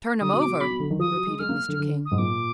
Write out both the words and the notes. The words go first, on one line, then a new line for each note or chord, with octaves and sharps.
"Turn him over?" repeated Mr. King.
D3 D#6
B2
D6
B2
B2 B5
B2
D3
D#3
F3 D#6
F#3
G#3
G#3 F6
A#3
D3
D3
D#6
G#2
A#2 D6